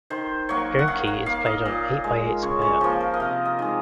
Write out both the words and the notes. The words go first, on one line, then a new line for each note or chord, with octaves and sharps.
Gounki is played on an eight-by-eight square.
D#3 C5
F#3 A#3 C#5
F#5
D#3 F5
F#5
A#3 F5
D#5
A#2
G#3
C#3 C#5
C#5
F3 A#3 C5
A#4
D#5
C3 F5
D#5
D#3 G#3